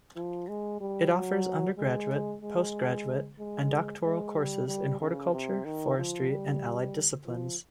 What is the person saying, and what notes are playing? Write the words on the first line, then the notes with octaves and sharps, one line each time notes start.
It offers undergraduate, postgraduate and doctoral courses in horticulture, forestry and allied disciplines.
F3
G#3
G3
F#3
G#3
G#3
G#3
G#3
G3
G3
C#3
C3
D#3
F3
G3
F3